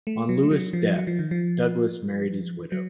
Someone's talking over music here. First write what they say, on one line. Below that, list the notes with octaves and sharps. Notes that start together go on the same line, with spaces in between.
On Lewis' death, Douglass married his widow.
A3
F#3
A3
F#3
F3
F#3
F3
D#3
F3
F#3